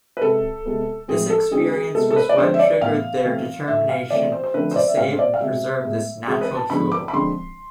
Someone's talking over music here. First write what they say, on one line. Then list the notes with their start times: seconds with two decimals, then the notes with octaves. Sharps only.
This experience was what triggered their determination to save and preserve this "natural jewel".
0.17 B4
0.22 C3 G#3 C4 A4
0.66 C3 G#3 B3
1.08 A2 F3 G#3 C4 G#4
1.30 A4
1.51 D3 G#3 C4 G#4
1.73 G#4
1.95 C3 G#3 B3 A4
2.10 A4
2.16 B4
2.29 D5
2.38 D3 F3 G#3 C4 C5
2.54 E5
2.59 D5
2.81 A2 E3 B3 F5
3.25 E3 A3 C4
3.67 A2 E3 A3 E5
3.89 F5
4.11 E3 A3 C4 D5
4.32 C5
4.44 C5
4.54 D3 F3 A3 C4 B4
4.71 C5
4.76 D5
4.87 E5
4.97 A2 G#3 C4 F5
5.13 C5
5.19 D5
5.34 F5
5.41 B2 G#3 C4 E5
5.84 A2 G#3 B3
6.27 E3 G#3 C4 G#4
6.41 B4
6.55 A5
6.70 D3 F3 G#3 B3 B5
6.92 D6
7.08 B5
7.13 D3 F3 G#3 C4 C6